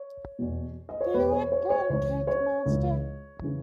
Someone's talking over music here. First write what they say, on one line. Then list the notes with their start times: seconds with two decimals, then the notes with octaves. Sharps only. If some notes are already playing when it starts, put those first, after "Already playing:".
Do you like plum-cake, monster?
Already playing: C#5
0.39 E2 B2
0.89 D#5
1.01 C#5
1.14 E2 B2 B4
1.32 C#5
1.52 C#5
1.70 C#5
1.90 C#2 C#3 E3 C#5
2.27 C#5
2.66 C#2 C#3 E3
3.42 C#3 E3